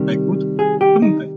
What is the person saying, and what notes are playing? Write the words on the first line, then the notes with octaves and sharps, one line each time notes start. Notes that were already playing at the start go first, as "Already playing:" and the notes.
I could, couldn't I?
Already playing: C3 D#3 G3
G#4
G4
D#4